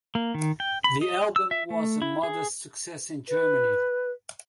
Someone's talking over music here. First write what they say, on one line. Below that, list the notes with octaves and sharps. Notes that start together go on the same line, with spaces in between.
The album was a modest success in Germany.
A#3
D#3
G5
B5
D#5
E6
E5
A3
E4
G#4
B4